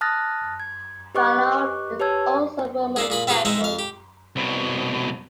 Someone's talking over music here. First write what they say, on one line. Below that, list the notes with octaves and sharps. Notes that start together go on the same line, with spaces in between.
Vallone is also a Roman Catholic.
A5 D#6 F6 F#6 A6 A#6
G#6
G4 B4 D#5 C#6 D6 F#6
G4 B4 C#5 A5 E6 G#6
D4 E4 G#4
A#2 G#4 B5
C4 F4 G4 G#4 B4
G#3 C4 D#4 E4
F2 F5
G4
C2 B2